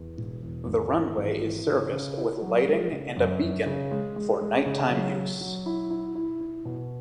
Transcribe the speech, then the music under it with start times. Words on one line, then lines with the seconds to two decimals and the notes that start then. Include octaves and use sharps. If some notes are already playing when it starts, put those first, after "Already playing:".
The runway is serviced with lighting and a beacon for night-time use.
Already playing: E2
0.18 E1
0.43 E2
0.68 G#1
0.93 E3
1.17 G#1
1.42 E3
1.67 C#3
1.92 C#3
2.17 E4
2.42 F#3
2.67 G#3
2.92 C#3
3.16 F#2
3.42 F#2
3.66 C#3
3.91 G#3
4.16 G#3
4.41 G#3
4.66 C#3
4.91 F#3
5.16 F#3
5.41 F#3
5.66 E4
5.90 E4
6.15 E4
6.41 E4
6.65 B2